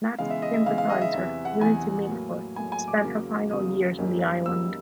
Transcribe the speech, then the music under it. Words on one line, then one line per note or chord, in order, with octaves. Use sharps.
Nazi sympathiser Unity Mitford spent her final years on the island.
C#3 E3 G#3 B3 F5
E5
D#5
E5
C#3 E3 G#3 B3 F5
F5
D#5
E5
E2 C3 E3 E5
F#5
E2 C3 E3 G#5
A2 F#3 A#3
A2 F#3 A#3 G#5
G#5
D6
E2 C#3 F#3 A#3
E2 C#3 F#3 A#3 D#6
F#2 D#3 G3 A#3
F#2 D#3 G3 A#3 E6